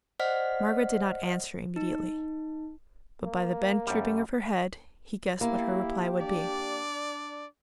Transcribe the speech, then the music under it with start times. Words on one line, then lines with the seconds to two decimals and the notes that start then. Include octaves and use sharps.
Margaret did not answer immediately; but by the bent drooping of her head, he guessed what her reply would be.
0.19 C5 D5 D#5 F#5 F6 B6
1.76 D#4
3.25 A#3
3.87 F#2 G3
5.41 A#3 E4 G4
6.21 D4 D5